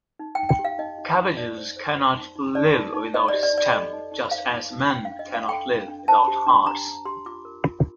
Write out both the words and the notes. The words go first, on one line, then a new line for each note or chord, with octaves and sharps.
Cabbages cannot live without stems just as men cannot live without hearts.
D#4
G5
D#4
G5
G4
F5
D#4 D#5
D#4
D#4
D#4 D5
C5
C5
C5
D#4
D#4
D#4 D5
D#4
D#4
C5 D#5
D5
G4
D5
D#4 D5
A4 D#5
D#4
D#4
C5 F5
D#4
D#4
D4 G5
F5
D4
D#5
D4
F5
A4 G5
D4
D4
C5 A5
G4
D4
D4 A#5
D4
G4 C6
F4 D6
A#4
F4